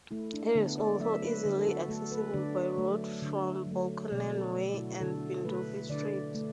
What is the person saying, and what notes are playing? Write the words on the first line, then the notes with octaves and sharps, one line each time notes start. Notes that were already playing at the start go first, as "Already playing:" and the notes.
It is also easily accessible by road from Belconnen Way and Bindubi Street.
A3 E4
D4
D3 B3
D5
F#3 A3 E5
B4
D3
A4
F#4
A3 A4
B4
D3 D5
F#3 A3
D3
F#3
A3
B2 D5
A4
A3
E4
F#4
D3 A4
A3 B4
D3 D5
A3